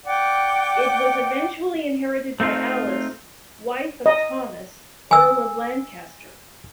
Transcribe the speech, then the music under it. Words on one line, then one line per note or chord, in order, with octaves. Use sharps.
It was eventually inherited by Alice, wife of Thomas, Earl of Lancaster.
D5 F#5 G5 D6
A3 C4 D#4 F4
D#5
G#5 E6